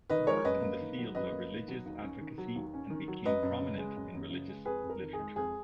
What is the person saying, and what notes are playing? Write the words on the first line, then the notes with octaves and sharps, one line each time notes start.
Worked in the field of religious advocacy and became prominent in religious literature.
D#3 B4 D#5
G#3 A#4 C#5
F#2 B4 D#5
A#3
D#3
F#3
F#2 B4 D#5
A#3
D#3
F#3
D#2
C#4
D#3
F#3
D#2
C#4
D#3
F#3
F#2 B4 D#5
F#2
C#3
G#3
F#2
F#2
C#3
G#3
F2 G#4 B4
F2
A#4
D#3
G#4
G#3
F2 G#4